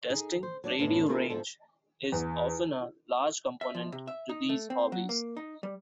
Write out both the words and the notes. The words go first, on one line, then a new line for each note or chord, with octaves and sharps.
Testing radio range is often a large component to these hobbies.
D#4 G#4
C5
F#3 D4 D5
F#2 A2 C3 B3 D4
B3 E4 F4 G#4 A#4
D2 G#2 F3 A4
E2
E5
F3
C3
E5
D#4
A3
C4
F#3
A#3
D#4
G3